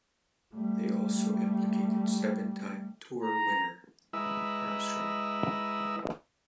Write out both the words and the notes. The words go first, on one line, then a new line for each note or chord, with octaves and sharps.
They also implicated seven-time Tour winner Armstrong.
G3 A3
A#5
G#3 E4 B4 D#5 A#5 E6